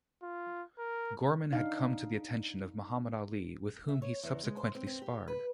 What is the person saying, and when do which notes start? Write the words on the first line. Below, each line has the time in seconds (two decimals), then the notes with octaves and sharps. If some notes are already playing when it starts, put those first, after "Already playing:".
Gorman had come to the attention of Muhammad Ali, with whom he subsequently sparred.
0.23 F4
0.78 A#4
1.52 D4 D#4 F5
3.88 E5
4.02 C#5
4.23 E2
4.43 G#3
4.57 C5
4.75 C4
4.87 C4
5.02 G4
5.28 B4